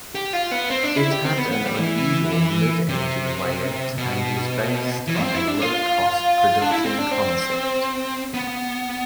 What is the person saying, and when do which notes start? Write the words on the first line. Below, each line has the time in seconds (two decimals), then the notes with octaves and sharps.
It had an unusual mid-engine layout and was based on a low-cost production concept.
0.15 G4
0.33 F4
0.51 B3
0.70 C4
0.83 D4
0.97 E4
1.11 G4
1.25 C4
1.38 B3
1.52 B3
1.65 G3
1.79 E3
2.89 C3
3.98 B2
5.07 E3
5.21 C4
5.34 E4
5.48 D4
5.62 F4
6.62 D4
6.71 E4
6.84 C4
6.98 D4
7.11 C4
8.34 B3